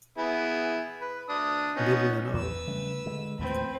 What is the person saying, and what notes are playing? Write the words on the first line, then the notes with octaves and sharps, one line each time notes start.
Levy and O.
B3 E4 G#4
B4
D4 D#6
B3 C#4 D#4
E2 B4 E6
C#3 G3 A3
D3 G#3
D#2 A2 F3 C4 B4